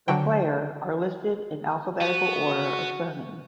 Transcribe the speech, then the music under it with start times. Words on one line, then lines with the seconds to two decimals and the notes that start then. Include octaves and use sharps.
The player are listed in alphabetical order of surname.
0.08 D3 F#3 G5
2.01 B3 F#4